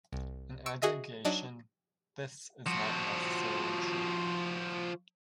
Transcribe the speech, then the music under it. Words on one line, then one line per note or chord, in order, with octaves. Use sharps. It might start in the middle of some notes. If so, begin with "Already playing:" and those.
In aggregation, this is not necessarily true.
C2
C#6 E6 C#7 D7
F#4 G#4 D#5 E5
F#3 D4 D#4
F3 F#4